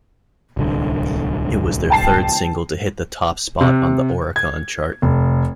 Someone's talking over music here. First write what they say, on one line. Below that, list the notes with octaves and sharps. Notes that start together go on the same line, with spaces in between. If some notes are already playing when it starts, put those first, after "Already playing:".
It was their third single to hit the top spot on the Oricon chart.
D1 C2 D3
G5 A5 C7
C3
G#6
F1